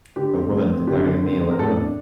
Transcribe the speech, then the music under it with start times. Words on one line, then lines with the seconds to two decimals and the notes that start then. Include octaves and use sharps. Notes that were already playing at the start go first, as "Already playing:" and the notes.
A woman preparing a meal at home.
0.16 D3 G4
0.34 C4
0.52 A3
0.70 C4
0.87 D3 G4
1.06 D3
1.24 C4
1.41 C4
1.51 A#4
1.59 A2 A4
1.76 D4